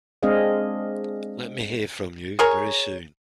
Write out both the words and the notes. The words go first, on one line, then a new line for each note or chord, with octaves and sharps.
Let me hear from you very soon.
G#3 C4 D4 G#4 D#5 F5
G#4 A#4 C#5